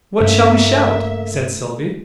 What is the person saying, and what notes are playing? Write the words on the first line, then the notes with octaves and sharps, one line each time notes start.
"What shall we shout?" said Sylvie.
G2 C#3 A3 A#3 E5